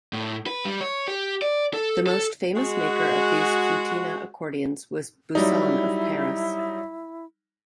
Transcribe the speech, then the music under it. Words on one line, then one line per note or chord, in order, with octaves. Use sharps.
The most famous maker of these "flutina" accordions was Busson of Paris.
A2
B4
G3
C#5
G4
D5
A4
A4
G#3 F#4
F#3 G3 D#4 E4